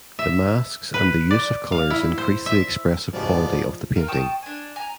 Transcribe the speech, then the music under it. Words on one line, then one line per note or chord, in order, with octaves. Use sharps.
The masks and the use of colours increase the expressive quality of the painting.
E5
B4
D5
F5
E4
C5
E5
G#2 C#3 F3 B3 C#4 G4 D5
F4 A#4 F5
G5 A5 C#6 D#6
D4 G#5
G#5 A#5